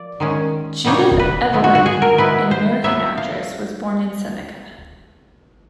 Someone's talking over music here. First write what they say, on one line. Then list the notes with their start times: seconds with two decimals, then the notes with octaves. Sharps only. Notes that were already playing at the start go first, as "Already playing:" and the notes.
Judith Evelyn, an American actress, was born in Seneca.
Already playing: F3 D5
0.20 D#3 G#3 C#4
0.84 B2 G3 A#3 D#4 C#5
1.19 B4
1.53 F3 G#3 B3 E4
1.64 F#4
1.75 F#4
1.86 G#4
2.02 A#4
2.18 D#3 G#3 B3 E4 B4
2.51 C5
2.84 F#3 B3 E4 E5
3.18 F5